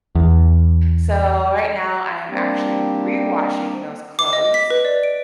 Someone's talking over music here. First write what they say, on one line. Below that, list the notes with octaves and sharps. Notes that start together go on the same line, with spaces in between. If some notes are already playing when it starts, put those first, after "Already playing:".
So, right now, I am actually rewashing those clothes,
E2
G3 A#3 C4 D4 G4
D6
D#5
B6
B4
D5
D7